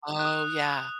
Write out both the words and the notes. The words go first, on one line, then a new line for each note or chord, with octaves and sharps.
Oh, yeah.
F#6
D#6